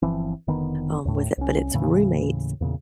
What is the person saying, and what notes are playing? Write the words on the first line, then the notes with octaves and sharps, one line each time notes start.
um, with it, but it's roommates
G1 E3 F3 C4
F1 D3 D#3 B3
D#2 A2
C2 C#4
D#2 A2 C#3 E3
E2 A#2 C#3